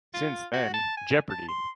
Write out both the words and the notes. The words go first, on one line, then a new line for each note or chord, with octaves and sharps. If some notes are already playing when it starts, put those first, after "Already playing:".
Since then, Jeopardy!
F4
F#4
A5
G#5
A5
C6